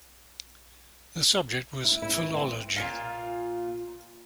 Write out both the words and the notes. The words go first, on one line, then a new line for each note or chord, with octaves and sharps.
The subject was philology.
E4
E4
E3
C4
A#2 F4 F5